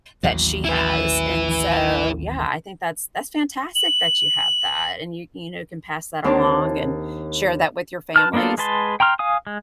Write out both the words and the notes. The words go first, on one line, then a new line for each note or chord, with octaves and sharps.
that she has, and so, yeah, I think that's that's fantastic that you have that, and you you know, can pass that along and share that with your families,
A1 D#2 F#3
E4 B4
F#7
D#2 C4 D4 A#4 A5 D6
B4 A5 F6
A#3 B3 D4 F4 A4
G#3 G#4 B4 A5 C6
G5 A#5 C6 F6
F5 G#5 D#6
G#3